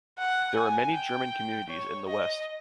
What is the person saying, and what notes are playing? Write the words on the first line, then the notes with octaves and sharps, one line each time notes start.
There are many German communities in the west.
F#5
G#5
G5
C#5
D#5